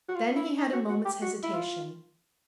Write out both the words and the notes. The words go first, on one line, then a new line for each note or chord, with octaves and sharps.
Then he had a moment's hesitation.
F#4
F4
E4
D#4
F#4
F#4
G4
F#4
E4
F4